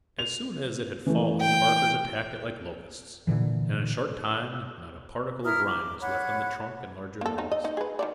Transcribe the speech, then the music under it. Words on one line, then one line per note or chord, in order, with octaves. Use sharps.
As soon as it had fallen the barkers attacked it like locusts, and in a short time not a particle of rind was left on the trunk and larger limbs.
F7
E3 A3
G5
A#2 D3 E3
E4 A#5 D#6 F6
D6
C#5 F#5 B5 F#6
A#3 A4
B3 C#4 D#4
D#5
D#4 D#5
G#4 B4
D#3 F#3 D5